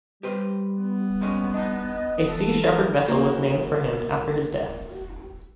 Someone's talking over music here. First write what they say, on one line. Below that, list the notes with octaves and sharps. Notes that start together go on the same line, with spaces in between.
A Sea Shepherd vessel was named for him after his death.
G3 G4 B4 C5
B3
F2 G#3 C#4
D4 D#4 D#5
E3 A4
A#4
A#3 E4 F#4 A#4 C5